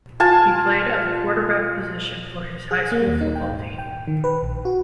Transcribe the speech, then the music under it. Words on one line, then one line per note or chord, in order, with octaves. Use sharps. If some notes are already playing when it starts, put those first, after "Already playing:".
He played at the quarterback position for his high school football team.
F4 G#5 A5
G#4
A#3
D#2
D#4
G5
G#2
G5
D#3
B4
A#1
F#4